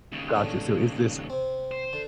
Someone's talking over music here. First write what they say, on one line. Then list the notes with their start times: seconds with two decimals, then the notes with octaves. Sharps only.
Gotcha. So is this
0.12 D#2 C#3
0.33 A2 D4
1.30 C3 C4
1.71 C5
1.93 D3